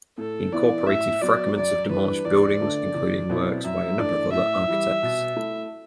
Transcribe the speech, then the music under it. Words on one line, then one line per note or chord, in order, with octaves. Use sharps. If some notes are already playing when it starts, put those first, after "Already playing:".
He incorporated fragments of demolished buildings, including works by a number of other architects.
A2 A4
E3 B3 E4 D5
A2 E5
F#3 B3 D5
F#2 D5
E3 G3 D4 B4
E2 D5
D3 A3 D4
E2
B2 F#3 C4 E4
F#2 E5
E3 A3 D4 D5
A2 E5
E3 G3
B2
A3 E4